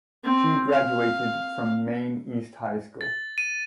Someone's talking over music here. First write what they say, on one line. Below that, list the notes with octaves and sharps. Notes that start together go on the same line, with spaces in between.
She graduated from Maine East High School.
C4
F5
A6
D#7